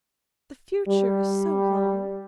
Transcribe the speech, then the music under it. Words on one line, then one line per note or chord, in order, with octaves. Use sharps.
The future is so long.
G3